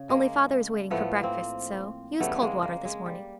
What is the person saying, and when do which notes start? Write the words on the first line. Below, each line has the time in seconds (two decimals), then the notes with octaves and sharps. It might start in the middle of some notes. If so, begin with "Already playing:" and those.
Only Father is waiting for breakfast, so use cold water this morning.
Already playing: C#3
0.09 G#3 A#3
0.90 A2 F3 A3 B3
1.23 A#3 C4
2.20 C#3 E3 G3 A3 B3
2.41 G#3 A#3
2.63 G#3 A#3
2.85 G#3
3.06 G3